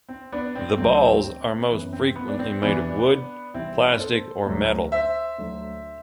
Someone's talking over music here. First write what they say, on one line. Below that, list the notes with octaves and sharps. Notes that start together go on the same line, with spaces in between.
The balls are most frequently made of wood, plastic, or metal.
C4
B3 D4
C4
D2 D3 F#3 C4
C4
F#2 E3 B3
C4
B3
D4
C4
E2 C3 E3 B3 D4
C2 C3 E3 C4 E4
A4 C5
D2 D3 F#3
C5 E5
D2 D3 F#3